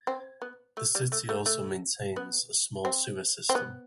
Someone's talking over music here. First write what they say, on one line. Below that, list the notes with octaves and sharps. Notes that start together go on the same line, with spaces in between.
The city also maintains a small sewer system.
C4
B3
A3
G3
A3
A3
A3
B3
C4
C4
B3